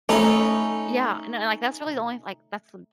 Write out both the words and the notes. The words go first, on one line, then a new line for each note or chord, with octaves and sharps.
Yeah, and then, like, that's really the only, like that's
A3 C#4 D#4 B5